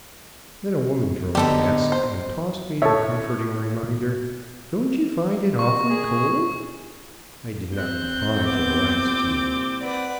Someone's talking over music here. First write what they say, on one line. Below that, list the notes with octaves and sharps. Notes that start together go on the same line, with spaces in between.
Then a woman drove past and tossed me the comforting reminder: "Don't you find it awfully cold?" I did not reply to the last two.
D3 B3 D#4 G4 A4
C5
A2 A4 C#5 E5
C#6
G#4
C4 F#6 G6
B3 D6
C2 A#2
B4 D5 F#5